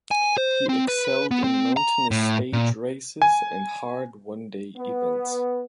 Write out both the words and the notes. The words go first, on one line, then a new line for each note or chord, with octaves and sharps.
He excelled in mountainous stage races and hard one-day events.
G#5
C5
C4
B4
B3
C4
A#5
A2
A#2
G#5
B3